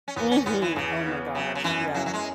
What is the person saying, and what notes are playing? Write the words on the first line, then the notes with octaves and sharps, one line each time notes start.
Mhm. Oh my gosh. Yeah.
C#4
E2 B3
C#4
E2 B3
E3
E2 C#3
B3
C#3 F#3
C#3
F#2 E3
F#3 E4
F#3
G#3